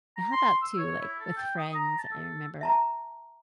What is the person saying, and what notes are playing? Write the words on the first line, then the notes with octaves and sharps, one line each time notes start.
And, how about too, like, with friends? I remember,
A#5
C6
E6
C#5
E4
A4
G5
D#6
A#5
A5
A4
E5 A5 A#5